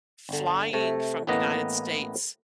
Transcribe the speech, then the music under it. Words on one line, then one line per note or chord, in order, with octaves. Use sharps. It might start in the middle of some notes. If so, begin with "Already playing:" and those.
flying from the United States
G1 D3
C3 A3
A1 A2 A#3 B3 B4 D#5